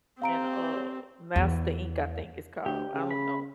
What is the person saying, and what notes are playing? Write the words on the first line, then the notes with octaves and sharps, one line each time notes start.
and, uh, Master Ink, I think it's called, I don't know.
C4 G4 F5 A#5 D7
E2
D2 G4
C#3
B5